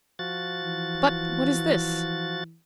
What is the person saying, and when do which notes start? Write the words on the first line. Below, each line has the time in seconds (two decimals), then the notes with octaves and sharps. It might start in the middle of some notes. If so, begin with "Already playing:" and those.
But what is this?
0.19 F3 F#4 A6
0.62 E3